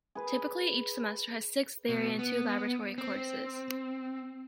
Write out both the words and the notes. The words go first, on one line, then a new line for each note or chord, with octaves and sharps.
Typically each semester has six theory and two laboratory courses.
G#4 B4
B2
B3
C4